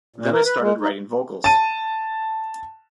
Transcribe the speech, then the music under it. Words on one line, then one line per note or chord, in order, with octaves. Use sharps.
Then I started writing vocals.
A#2
A#4
B4
G#3
D#4
A5 D#7